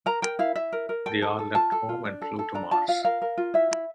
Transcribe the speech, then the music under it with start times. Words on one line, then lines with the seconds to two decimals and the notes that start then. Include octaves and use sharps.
They all left home and flew to Mars.
0.06 A#4 A#5
0.22 A#4 G5
0.39 E4 F5
0.56 E4 E5
0.73 A#4
0.89 A#4
1.06 A4 G5
1.22 A4
1.39 A4
1.55 F4 A5
1.72 A4
1.89 F4
2.05 D4
2.22 A4
2.39 A4
2.54 D4 A#5
2.71 F4 A5
2.88 F4 F5
3.05 A#4 F5
3.22 A#4
3.38 F4
3.54 E4 E5
3.71 E4